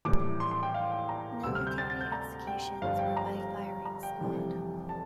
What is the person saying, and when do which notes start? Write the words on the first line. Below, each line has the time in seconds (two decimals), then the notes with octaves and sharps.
Military executions were by firing squad.
0.05 A#1 A2 E3 G3 D6
0.40 C6
0.51 C6
0.63 G5
0.74 F5
0.92 G5
1.09 A#5
1.43 D2 C3 G3 E6
1.55 F6
1.67 G6
1.78 A6
1.90 A6
2.01 G6
2.12 A#5
2.47 G5
2.82 G1 G2 F3 F5
2.99 G5
3.17 A#5
3.86 A#5
4.03 G5
4.20 F1 F2 C3 E3 G3
4.89 A5